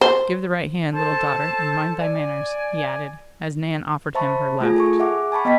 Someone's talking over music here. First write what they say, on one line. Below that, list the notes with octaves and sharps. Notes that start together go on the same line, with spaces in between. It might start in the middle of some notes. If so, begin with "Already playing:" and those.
"Give the right hand, little daughter, and mind thy manners," he added, as Nan offered him her left.
C5
A4 C5 A5
D5 G#5
C5 E5 A5 B5 C#6
A3 F4 G#4 G#5
A4 G#5 C#6
G#4 E5 F#5 D6
G#5 A5 B5 C#6
B3 D#5 G5 A5 B6